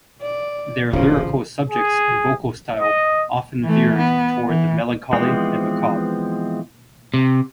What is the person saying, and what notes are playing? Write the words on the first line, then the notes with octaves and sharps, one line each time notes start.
Their lyrical subjects and vocal style often veered towards the melancholy and macabre.
D5
D1 A1 A#2 C#3 F3
G#4
D#5
E3 A3
B3
E3
E3 F3 G#3 B3 C4
C3